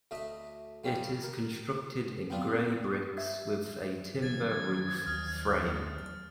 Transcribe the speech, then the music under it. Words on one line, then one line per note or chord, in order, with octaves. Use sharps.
It is constructed in grey bricks with a timber roof frame.
D2 A3 D#5 E5
F3 G3 C#4 G4
A#4
B3 C4 D4 F4
E5
D#3 F3 F#3 G#6 A6
D#2 D#6 F6